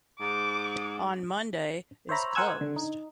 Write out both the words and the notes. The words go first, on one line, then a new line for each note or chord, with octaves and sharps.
On Monday is closed.
G#2 D6
C5 C#5 E5 A#5 B5
A#4 C5 F#5 G#5 E6 G#6
D3
D#4